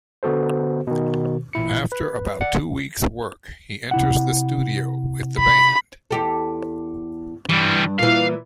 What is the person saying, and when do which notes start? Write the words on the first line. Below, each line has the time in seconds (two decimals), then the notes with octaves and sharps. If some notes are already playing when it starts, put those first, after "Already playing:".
After about two weeks' work, he enters the studio with the band.
0.23 D3 B3 F#4 A4 C5
0.87 B2 D#3
1.53 A1 A#2 E4 C#7
1.92 B4
2.41 D5 F#5 C#7
3.91 C3 E4 F#5
5.39 B5
6.11 E2 G4 A4
7.49 G2 E3 G3
7.99 A#2 E3 F5